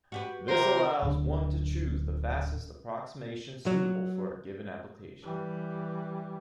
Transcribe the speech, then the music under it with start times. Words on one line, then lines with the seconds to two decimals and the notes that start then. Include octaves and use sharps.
This allows one to choose the fastest approximation suitable for a given application.
0.12 F#4 G4 B4
0.48 C3 A#4 C5
1.02 D1 D3
3.66 F#3
5.23 E3 G3